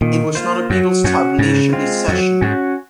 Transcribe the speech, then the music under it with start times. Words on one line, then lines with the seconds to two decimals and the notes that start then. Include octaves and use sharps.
It was not a Beatles-type leisurely session.
0.01 A#2 D#3
0.35 A#3 F4 C5
0.70 F#2 F#3
1.04 F#2 C#4 F#4
1.39 G#2 C#3
1.73 G#3 C4 F4
2.08 F2 F#3
2.41 G#2 C#4 F#4